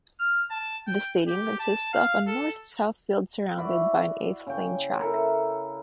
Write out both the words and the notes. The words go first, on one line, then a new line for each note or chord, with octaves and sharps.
The stadium consists of a north-south field surrounded by an eight-lane track.
F6
A5
G5
G4
A5
F5
A4
E4 F#4 D5
C#3 G5
E4 A4 A#4